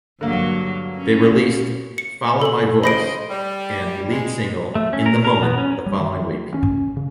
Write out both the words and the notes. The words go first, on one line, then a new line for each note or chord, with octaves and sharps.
They released "Follow My Voice" and lead single "In the Moment" the following week.
G2 D3 F#3 A#3
C#4
C#7
A4 F#7
C#3 C5 D#5 B5 A#6 D7
G3
G#3
A3
C#4
A#4
A#4
B3
C#4
G3
D#3
C#4
C#3